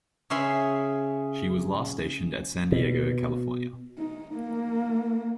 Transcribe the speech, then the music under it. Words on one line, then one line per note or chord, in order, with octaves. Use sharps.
She was last stationed at San Diego, California.
C#3 C#4 G#4 E5 B5 C6
B2
D#4
A#3